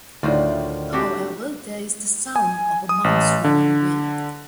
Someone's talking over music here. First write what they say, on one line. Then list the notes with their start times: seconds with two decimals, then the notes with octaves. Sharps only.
However, there is the sound of a mouse running away.
0.23 D2 A2 D#3 F4 D5
0.93 C4 D4 F#4 G4 F#5
2.36 G#5
2.89 D#6
3.04 A1
3.44 D3